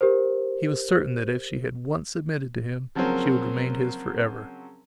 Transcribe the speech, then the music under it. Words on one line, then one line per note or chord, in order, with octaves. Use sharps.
He was certain that if she had once submitted to him she would remain his for ever.
G4 A#4 C5
C#3 F3 F#3 A#3 C4 C#4